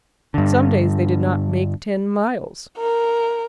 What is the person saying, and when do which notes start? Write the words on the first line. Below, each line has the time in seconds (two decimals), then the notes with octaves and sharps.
Some days they did not make ten miles.
0.34 G2 D3
2.78 A#4